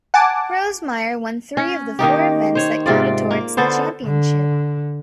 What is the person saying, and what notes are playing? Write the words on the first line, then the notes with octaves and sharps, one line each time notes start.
Rosemeyer won three of the four events that counted towards the championship.
F#5 G#5 A5 D6
C#4
D#3 A#3 D#4 G4
C5 C#5
G#2 C3 F4 D5
A#3
D3 B3 A4 C5
D3